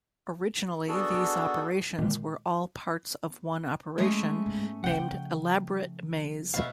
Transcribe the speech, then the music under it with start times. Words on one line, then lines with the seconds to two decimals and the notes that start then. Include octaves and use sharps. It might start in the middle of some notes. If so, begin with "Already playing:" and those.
Originally, these operations were all parts of one operation named Elaborate Maze.
0.88 B3 D4 F#4 G#4 A4
1.99 A#2 D3 D#3 G#3 A#3
3.98 G#3 A3 C#4 G#4
4.45 G#2 B3
4.84 C#3 F3 F#5 G5
6.54 B2 E5 F5